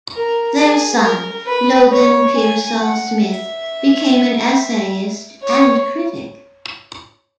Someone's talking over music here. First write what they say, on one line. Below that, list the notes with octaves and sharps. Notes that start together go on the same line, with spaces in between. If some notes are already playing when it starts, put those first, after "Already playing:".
Their son, Logan Pearsall Smith, became an essayist and critic.
A#4
G#4
A#4
B4
C#5
G#5
F#5
E5
C#5